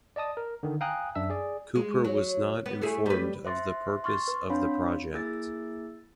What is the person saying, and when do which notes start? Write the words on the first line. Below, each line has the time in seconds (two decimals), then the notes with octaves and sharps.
Cooper was not informed of the purpose of the project.
0.16 D5 D#5 A5 D#6
0.37 A#4
0.63 D3 D#3
0.81 F5 G5 G#5 A#5 D#6 F#6
1.15 F#2 D4 E5 E6
1.30 G#4 D5
1.75 G#3
2.05 F#3
2.66 B3
2.82 A3 E4 G#4
3.06 G3 B4
3.45 C5 E5 C6 A6
4.04 C6 C#6 F6 A6
4.28 B4
4.49 C4 D4 C#5 F5 B5 C6
5.13 A#3 E4 G#4 E6 A6